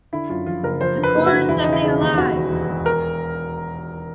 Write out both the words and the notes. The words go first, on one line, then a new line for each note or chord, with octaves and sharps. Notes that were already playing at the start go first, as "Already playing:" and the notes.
The chorus of the Alive!
D3 E4
F#2 F4
F3 F4
F#1 A#4
F3 C5
D3
B4
F#1
F#4
D3
E1 E4
C#3 D#4
E4
C#3
D#2
D#2 F#4
E1
E1
E1
A#4